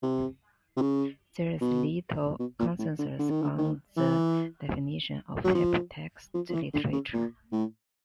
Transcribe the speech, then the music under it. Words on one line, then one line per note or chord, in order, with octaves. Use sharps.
There is little consensus on the definition of hypertext literature.
C3
C3
C#3
B2
B2
A#2
A2
D3
D3
D#3
D3
D#3
E3
F#3
F3
F3
F3
E3
D3
C#3
A#2
A2